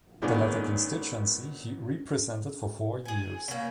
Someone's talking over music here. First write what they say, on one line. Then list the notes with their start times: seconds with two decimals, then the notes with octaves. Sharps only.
The latter constituency he represented for four years.
0.22 A#2 D#3 G#3 B3 C#4 D4
3.05 G#4 G#5
3.48 C#3 A#3